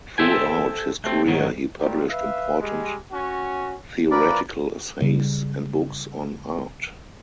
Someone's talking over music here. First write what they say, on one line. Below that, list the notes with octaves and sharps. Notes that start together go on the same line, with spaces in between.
Throughout his career he published important theoretical essays and books on art.
A4 C5 E5 G5 G#5
A3 C4
D2 G#2 D#3 F#3
A#2 F#3 G3
B4 E5 F5
G3 G#3
C#4 F#4
E3 F3 A#4 B4 D5
C#3 G3